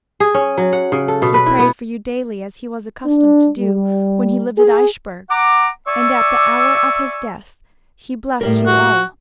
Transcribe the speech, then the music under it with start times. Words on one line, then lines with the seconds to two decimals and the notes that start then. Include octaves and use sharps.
He prayed for you daily, as he was accustomed to do when he lived at Eichbourg, and at the hour of his death he blessed you all.
0.20 G#4
0.34 C#4
0.58 F#3
0.73 F#5
0.92 C#3
1.08 A4
1.22 B2
1.34 B4
1.46 E4
1.59 B3
3.05 D4
3.57 G3
4.58 G#4
5.30 F#5 A#5 D6
5.87 D5 E5 G#5 C#6 D6 E6
8.41 A2 G3 A#4
8.66 F#4